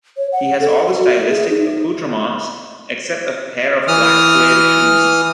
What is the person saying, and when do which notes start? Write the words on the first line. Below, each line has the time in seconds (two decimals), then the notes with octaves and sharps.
He has all the stylistic accoutrements, except a pair of black suede shoes.
0.17 C#5
0.32 F#5
0.60 A4
0.86 F#4
1.08 E5
1.30 G#4
1.50 D#4
3.88 E3 D#6 F6